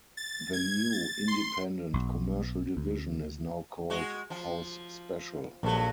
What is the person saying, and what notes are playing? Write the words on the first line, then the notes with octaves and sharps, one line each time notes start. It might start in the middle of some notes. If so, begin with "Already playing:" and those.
The new independent commercial division is now called HouseSpecial.
A6
G#6
A6
C6
B1
D2
G#3 F#4
F3
A#1 G2 F#3 A4